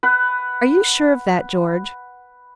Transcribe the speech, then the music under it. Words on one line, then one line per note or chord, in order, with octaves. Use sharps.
"Are you sure of that, George?"
B4 F#5